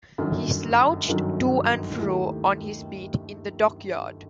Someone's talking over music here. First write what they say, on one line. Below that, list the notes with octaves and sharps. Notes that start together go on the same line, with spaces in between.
He slouched to and fro on his beat in the dockyard.
G1 F#2 D#3 F#3
G1 F#2 D#3 F#3
D#2 D#3 A3 E4 G4